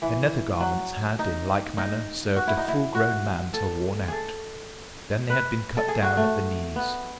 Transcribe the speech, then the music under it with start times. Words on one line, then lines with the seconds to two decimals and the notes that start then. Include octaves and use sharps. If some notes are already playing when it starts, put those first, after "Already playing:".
The nether garments had, in like manner, served a full-grown man till worn out; then they had been cut down at the knees.
0.02 E3
0.60 F#3
1.19 D#4
1.78 D#4
2.36 F#4
2.47 E4
2.57 D#4
2.68 E4
2.95 F#4
3.54 A4
4.08 G#4 A4
5.30 B4
5.77 A4
5.88 G#4
6.03 F#4
6.17 A3
6.76 B3